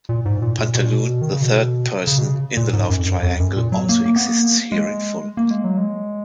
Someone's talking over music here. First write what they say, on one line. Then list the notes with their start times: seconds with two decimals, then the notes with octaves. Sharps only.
Pantaloon, the third person in the love triangle, also exists here in full.
0.09 A#2
0.25 G#2
0.42 A#2
0.59 A#2
0.75 B2
0.84 A#2
0.93 B2
1.22 D#3
1.31 C#3
1.42 B2
2.07 C#3
2.18 B2
2.23 C#3
2.57 A#2
2.73 G#2
2.89 F#2
2.99 F2
3.06 F#2
3.23 F2
3.40 F#2
3.56 A#2
3.72 F#3
3.89 A#3
4.06 A#3
4.16 B3
4.27 A#3
4.72 G#3
5.37 A#3
5.51 G#3
5.64 F#3
5.77 G#3